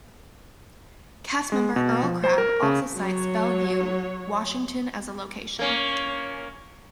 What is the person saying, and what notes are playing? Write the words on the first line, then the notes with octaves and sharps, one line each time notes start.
Castmember Earl Crabb also cites Bellevue, Washington as a location.
G#3
B2
F3
C5
A#4
C#3
F#3 C#5
A#3 C#4